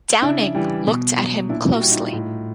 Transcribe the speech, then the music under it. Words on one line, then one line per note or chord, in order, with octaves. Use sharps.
Downing looked at him closely.
C#3 D4 E4
E3 G3
B2
F#3
A#2 D4 E4
E4 F#4
G3
D#4 F4
A2